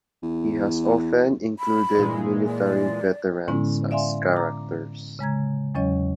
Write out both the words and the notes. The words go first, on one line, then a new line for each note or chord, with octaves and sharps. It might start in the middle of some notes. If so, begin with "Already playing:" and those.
He has often included military veterans as characters.
E2
B5
A#2 E3 G#3
D5
A2 D3 G#3 B3 C#4 E4
D5 E5 F5 G#5 C6
A#5 D6
C#3 G#3 A#5 G#6
E2 F#3 C#4 C#5 D#5